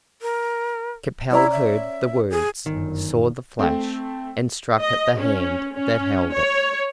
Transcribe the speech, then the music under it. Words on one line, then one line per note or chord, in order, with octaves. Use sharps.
Capel heard the words, saw the flash, and struck at the hand that held it.
A#4
C#4 E4 D5 A#5
E5
G#4
G1 F#2 D#3
A3 C4
D#5
C#4
C#4
C#5